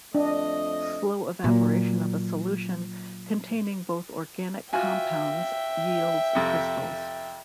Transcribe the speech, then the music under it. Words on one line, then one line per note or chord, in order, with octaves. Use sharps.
Slow evaporation of a solution containing both organic compounds yields crystals.
F2 A3 D4 D#5
A#2 F#3
F4 F#4 E5 G5 G#5
F2 C3